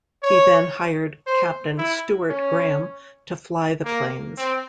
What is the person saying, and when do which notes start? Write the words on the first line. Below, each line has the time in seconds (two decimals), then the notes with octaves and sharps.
He then hired Captain Stuart Graham to fly the planes.
0.23 C#5
1.27 C5
1.78 E4
2.29 C#4
3.85 A#3
4.38 C4